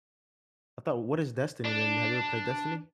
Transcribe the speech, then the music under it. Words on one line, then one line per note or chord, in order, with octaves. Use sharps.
I thought what is Destiny then? Have you ever played Destiny?
D4